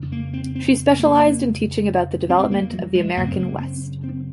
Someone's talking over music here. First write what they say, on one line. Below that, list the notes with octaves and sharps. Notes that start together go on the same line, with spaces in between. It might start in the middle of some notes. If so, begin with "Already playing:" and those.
She specialized in teaching about the development of the American West.
Already playing: F2 C#3
A#3
C4
C4
A#3
C4
A#3
F#3
G#3
F#2 C#3 A#3
C4
A#3
C4
C4